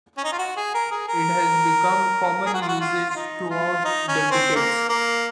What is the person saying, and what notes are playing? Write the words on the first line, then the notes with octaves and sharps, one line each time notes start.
It has become common usage throughout the decades.
C#4
D#4
F4
F#4
G#4
A#4
G#4
A#4
G#4
F#4
F4
F#4
F4
F4
D#4
F4
D#4
C#4
C4
A#3
A#3